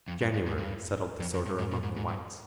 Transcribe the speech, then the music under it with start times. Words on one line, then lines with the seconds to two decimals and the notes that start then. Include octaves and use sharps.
January settled disorder among the whites.
0.08 F2
0.21 G2
0.34 G2
0.46 G#2
0.58 G2
1.20 F2
1.34 F2
1.46 G2
1.59 G#2
1.71 A#2
1.83 G#2
1.97 G#2
2.08 G2